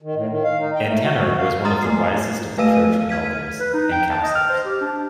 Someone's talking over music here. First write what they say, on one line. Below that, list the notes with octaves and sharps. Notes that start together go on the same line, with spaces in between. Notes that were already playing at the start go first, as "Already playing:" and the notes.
Antenor was one of the wisest of the Trojan elders and counsellors.
D#3
A2
D#3
F5
D#4
G5
A3
F#4
F#4
F5
A#5 C6 D#6 F6 A6
A3 C7
A3 B4 F5 E6 D#7
F6 G#6 B6 D#7
B4
D#4
G5
A5
D#5
F6
C5
G4
D4